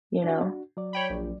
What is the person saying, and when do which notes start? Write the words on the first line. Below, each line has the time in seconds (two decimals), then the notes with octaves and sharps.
you know?
0.24 D4 F#4
0.77 F#3 D5
0.93 C#5 G5 B5
1.10 A#1